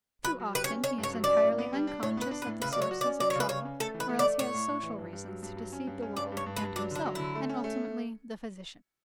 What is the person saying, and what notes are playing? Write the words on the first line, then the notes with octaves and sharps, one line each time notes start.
Too often he is entirely unconscious of the sources of trouble or else he has social reasons to deceive the world and himself, and ultimately the physician.
F#3 B4
F#3
G4 B4
C#5
C#4
C#4 C#5
G2
C#5
F#3
C#4 D5
A2
B3
G3
D4
A2 C#5
B3 B4
D4
B4
A2
C#3 B4
F#3 D5
C#5
F#4
D5
C#4
F#3 D5
C#5
C#3 B4
C#3 C#5
C#4
A3 A4
E3
B4
A3
D5
A3
A2 C#5
A2
A2
E3
G2
G2
F#3
G2
F#3
C#4
G2
C#4
G2 D5
G2
C#5
G2
B4
G2
F#3 D4
D3 D4
F#3
D3 E4
A3
C#4
A3